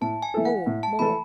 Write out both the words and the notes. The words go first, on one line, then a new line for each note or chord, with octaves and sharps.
More! more!
A2 A5
G#5
E3 A3 E4 A4
F#5
A2
A5
E3 A3 E4 A4 B5